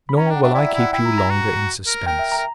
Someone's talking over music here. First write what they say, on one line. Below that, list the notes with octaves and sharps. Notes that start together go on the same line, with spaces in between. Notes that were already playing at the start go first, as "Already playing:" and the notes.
Nor will I keep you longer in suspense.
B5
C#4 A#5
G5
D4
F#5
D4 E5
E4 D5
E5
E4
F#5
E4 G5
A#5
A#5
F#4
A#4
A#4 G5
E5
A#5
A#4